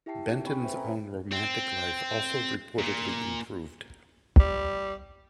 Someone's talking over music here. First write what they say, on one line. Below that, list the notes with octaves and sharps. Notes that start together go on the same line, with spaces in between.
Benton's own romantic life also reportedly improved.
E4 G4 E5 G5 A5 C7
C4 D#4 G4
C4 G5 G#5 B5 C#6
B4 C5 E5 G5
C#4 A4 G#5 A#5 B5
C4
A#2
G3